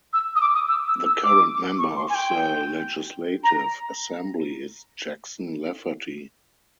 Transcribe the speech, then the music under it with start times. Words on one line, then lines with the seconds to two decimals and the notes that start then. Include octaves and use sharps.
The current Member of the Legislative Assembly is Jackson Lafferty.
0.13 E6
0.36 D#6
0.41 D6
0.55 D#6
0.68 E6
0.87 E6
1.06 E6
1.24 D6
1.78 C#6
1.97 C6
2.09 G#5
2.15 G5
3.44 A#5